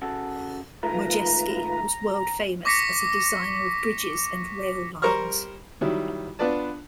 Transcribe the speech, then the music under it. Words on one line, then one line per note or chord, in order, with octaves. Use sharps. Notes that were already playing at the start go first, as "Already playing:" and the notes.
Modjeski was world-famous as a designer of bridges and rail lines.
C#3 F#4 A4
D#3 G#3 A3 F4 B4 A#5
C#6 D6 A#6 B6 C#7
G3 A#4 C5 A#5 C#6 F6
D#3 F#3 G3 E4
B3 D4 F4 B4 D5 A5